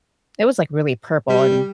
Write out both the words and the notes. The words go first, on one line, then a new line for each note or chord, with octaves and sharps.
it was like really purple and
G3